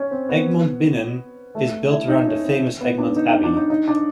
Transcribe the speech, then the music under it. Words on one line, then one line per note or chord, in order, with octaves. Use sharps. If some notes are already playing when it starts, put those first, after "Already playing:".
Egmond-Binnen is built around the famous Egmond Abbey.
Already playing: C#4
C4
B3
A3
E4
D#4
C#4
C4
B3
D4
D#4
D#4
D4
D#4
D#4
D4